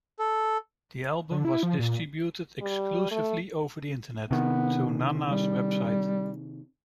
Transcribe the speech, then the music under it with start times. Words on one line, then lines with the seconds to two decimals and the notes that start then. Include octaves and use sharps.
The album was distributed exclusively over the Internet, through Nana's website.
0.19 A4
1.31 D3
1.45 E4
1.63 F3
1.79 A#2
2.62 G3
3.11 A3
4.31 C3 D#3 B3
5.31 G3